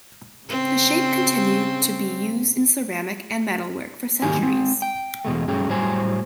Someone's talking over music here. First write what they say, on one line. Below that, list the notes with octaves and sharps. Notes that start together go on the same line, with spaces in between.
The shape continued to be used in ceramic and metalwork for centuries.
C#3 C4
G#2 D#3 F#3 A#3 G4 G#5
G#3 C4
G5
E2 B2 G#3 A3
G2 F#3 A3 C#4 G#4 G5
A2 F#3 G3 C5 G#5